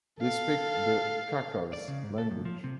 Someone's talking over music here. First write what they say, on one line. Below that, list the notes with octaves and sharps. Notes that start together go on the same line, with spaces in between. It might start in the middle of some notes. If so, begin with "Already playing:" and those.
They speak the Khakas language.
A4 F5
D5
C#3
G#2
A4
F#2
F3
C3